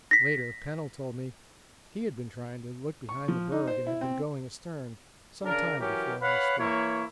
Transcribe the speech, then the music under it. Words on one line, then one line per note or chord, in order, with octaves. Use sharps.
Later Pennell told me he had been trying to look behind the berg and had been going astern some time before he struck.
A#6 B6
C#6
F3
D#4
C5
E4
C4
C#3 D4 A#4
E3 F#3 C#4 G4 A#4
B4 C#5 F5 F#5 B5
E3 A#3 E4 C#5